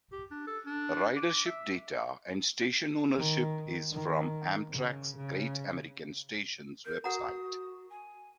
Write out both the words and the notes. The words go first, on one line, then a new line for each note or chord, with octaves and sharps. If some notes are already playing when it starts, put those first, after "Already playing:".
Ridership data and station ownership is from Amtrak's Great American Stations website.
G4
D4
A4
D4
D6
E5
D#3
D#3
C#3
C#3
A#4 G6
F#4 A#4 F#5 A#5 D#6
G#5